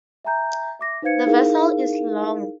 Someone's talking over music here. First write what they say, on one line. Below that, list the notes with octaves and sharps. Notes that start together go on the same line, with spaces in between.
The vessel is long.
E5 G#5 A#5 G6
E5 D6 A#6
D#4 B4 C5 F5 G#6 C#7
D#4 E4 G#4 A#4 F5